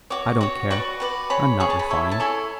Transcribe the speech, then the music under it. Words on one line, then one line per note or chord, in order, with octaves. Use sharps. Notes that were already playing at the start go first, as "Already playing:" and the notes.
I don't care; I'm not refined.
F#4 C#5 D6
F#4 C#5
F#4 B4 D5 C#6
F#4 B4 D5
G#4 C#5 B5
G#4 C#5 B5
A5
B5
E4 A4 C#5
A5
E4 A4 C#5 G#5